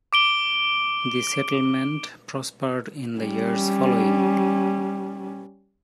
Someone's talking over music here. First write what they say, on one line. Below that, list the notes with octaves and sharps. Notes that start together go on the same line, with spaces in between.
The settlement prospered in the years following.
D6 D7 G7
G3 C#4